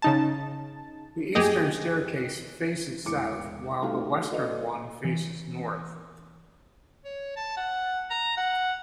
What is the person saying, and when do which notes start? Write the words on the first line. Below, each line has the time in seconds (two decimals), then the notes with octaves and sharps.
The eastern staircase faces south while the western one faces north.
0.02 C#3 D#4 A5
1.35 F#2 G4 G#4 D#5
3.05 E1 A2 E3 D6 C#7
3.82 G3 A3 D#4 F#4 A4 F5
4.31 F#4 A4 B4 D5 D#5
5.05 E3
7.05 C#5
7.36 A5
7.57 F#5
8.11 A#5
8.38 F#5